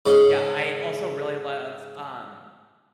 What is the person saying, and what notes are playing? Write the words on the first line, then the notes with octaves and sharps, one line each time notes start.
Yeah, I also really love, um,
G#2 C#3 C#4